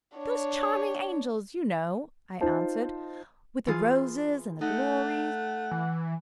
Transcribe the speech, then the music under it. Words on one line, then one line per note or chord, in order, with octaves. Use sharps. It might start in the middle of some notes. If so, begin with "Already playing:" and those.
'Those charming angels, you know,' I answered. 'With the roses and the glories!'
D4 C#5
D#4 F4 C5 A5
E3 F4 G#4
A3 D#4 F#5
E3